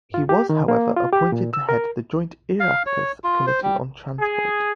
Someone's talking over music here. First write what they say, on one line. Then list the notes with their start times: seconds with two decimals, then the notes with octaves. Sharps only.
He was, however, appointed to head the joint Oireachtas committee on Transport.
0.14 F4
0.29 G4
0.49 D#3
0.68 A#3
0.96 F4
1.13 G4
1.32 A#2
1.54 E6
1.69 A#4
2.60 F5
2.86 C#5
3.24 F4
3.47 C5
3.63 G3
4.20 G#4